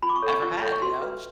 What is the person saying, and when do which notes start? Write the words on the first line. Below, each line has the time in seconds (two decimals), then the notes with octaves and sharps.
ever had, you know?
0.02 F4 B5
0.09 D6
0.16 C#6
0.22 A4 C#5
0.29 C#6
0.42 F4 C#6
0.63 A4 C#5
0.72 C#6
0.82 F#4 C6
1.02 B4